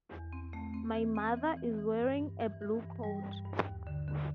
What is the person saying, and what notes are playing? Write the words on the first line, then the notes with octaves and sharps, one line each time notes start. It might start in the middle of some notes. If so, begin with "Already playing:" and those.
My mother is wearing a blue coat.
E2
C4
A3
C4
E3
C4
E3
E3
E3
G2
G2
E3
E3
G2
G3
G2
G2
D#2
D3
D3